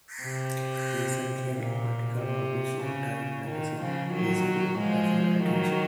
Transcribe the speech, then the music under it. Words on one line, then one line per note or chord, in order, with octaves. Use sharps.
Recently an article published in Time magazine received international attention.
C3
A#2
C3
C#3
D#3
C#3 F3
D#3 F#3
F3 G#3
D#3 F#3